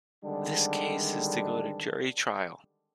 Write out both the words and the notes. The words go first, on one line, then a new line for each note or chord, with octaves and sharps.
This case is to go to Jury trial.
D3 D#3 G3 G#3 C4 D4